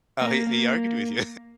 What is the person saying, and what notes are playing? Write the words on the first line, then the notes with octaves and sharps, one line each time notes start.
Oh, he he argued with you.
A#3
A#3